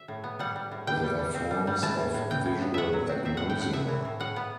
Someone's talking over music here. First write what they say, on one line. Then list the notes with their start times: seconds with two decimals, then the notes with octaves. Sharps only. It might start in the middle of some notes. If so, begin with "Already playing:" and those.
They are forms of visual agnosia.
Already playing: E5
0.08 A2
0.24 B3
0.39 G3 F#5
0.56 G3
0.72 A2
0.87 D3 G5
1.03 G3
1.19 G3
1.34 C4
1.51 G3
1.67 G3
1.82 E3 A5
1.98 A2
2.14 A2
2.30 E3 G5
2.46 A2
2.62 B3
2.74 A2 E5 F#5
2.93 F#3
3.09 C4
3.25 C4 E5
3.37 A2 F#5
3.50 G5
3.57 A2 F#5
3.73 A2 E5
3.88 E3
4.05 A2
4.20 A2 F#5
4.36 B3